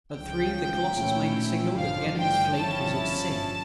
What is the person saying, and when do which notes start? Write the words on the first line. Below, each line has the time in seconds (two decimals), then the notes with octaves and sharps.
At three the Colossus made the signal that the Enemy's Fleet was at sea.
0.16 C#2 C#3 F3 G5
0.96 A#2 A3 C#4 E4
1.77 A1 G2 D3 F3 F5
2.18 G5
2.58 G1 G2 F3 C#4 E4 A5